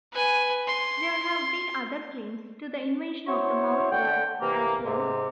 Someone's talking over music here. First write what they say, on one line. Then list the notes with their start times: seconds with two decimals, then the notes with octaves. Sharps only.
There have been other claims to the invention of the mouthguard as well.
0.13 B4 G#5
0.67 C6
3.27 E4 F#4 C5 C#5
3.91 D3 F#5 G5
4.40 C3 E3 A#3
4.84 G#2 C3